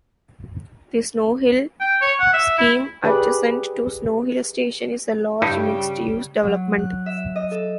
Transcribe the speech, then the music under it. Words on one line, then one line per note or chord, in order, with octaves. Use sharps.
The Snowhill scheme adjacent to Snow Hill station is a large mixed-use development.
G5
C#5
F#5
E5
E4
G4 G#4 B4 D5
G2 C#3 G3 D#4 E4 G4
F#3
F#6
E5
D#5
A4